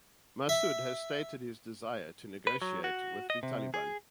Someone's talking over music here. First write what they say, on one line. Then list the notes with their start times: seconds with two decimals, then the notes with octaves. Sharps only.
Massoud has stated his desire to negotiate with the Taliban.
0.49 E5
2.47 B4
2.62 F#3
2.84 F#4
3.30 D#5
3.43 C3
3.74 G#4